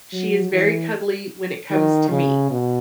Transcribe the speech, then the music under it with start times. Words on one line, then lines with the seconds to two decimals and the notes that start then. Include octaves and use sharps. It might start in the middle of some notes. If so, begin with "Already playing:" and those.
She is very cuddly when it comes to me,
0.12 F#3
0.52 E3
1.71 D#3
2.10 C#3
2.50 B2